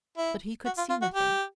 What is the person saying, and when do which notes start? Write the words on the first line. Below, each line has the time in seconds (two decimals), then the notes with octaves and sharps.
But he could see nothing.
0.18 E4
0.66 F#4
0.77 F4
0.90 F4
1.02 F#4
1.14 G4